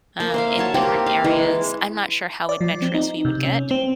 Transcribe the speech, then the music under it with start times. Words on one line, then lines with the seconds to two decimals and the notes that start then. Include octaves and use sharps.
um, in different areas. I'm not sure how adventurous we would get
0.20 A#3
0.34 C5 E5 F5
0.58 F#3 C#5 A5
0.74 A#3 C4 G4
1.06 F5
1.24 E3 G#3
2.49 D5
2.61 F3
2.82 C4
2.94 D#4
3.25 C3
3.45 C#4
3.71 C4